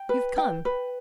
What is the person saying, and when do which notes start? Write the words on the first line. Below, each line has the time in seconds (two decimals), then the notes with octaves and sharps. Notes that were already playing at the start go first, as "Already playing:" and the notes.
You've come.
Already playing: G5
0.09 B4
0.38 G5
0.65 B4